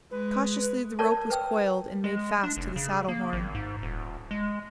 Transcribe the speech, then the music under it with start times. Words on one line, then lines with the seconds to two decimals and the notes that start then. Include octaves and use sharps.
Cautiously the rope was coiled and made fast to the saddle horn.
0.11 G#3 B4
0.99 A#4 C#5 D5 A5
1.30 B4 G5 E6
2.04 G#3
2.43 D4
2.57 F1
2.76 C#3
3.08 A#3
3.33 G#1
3.55 G#2
3.82 D#1
4.31 G#3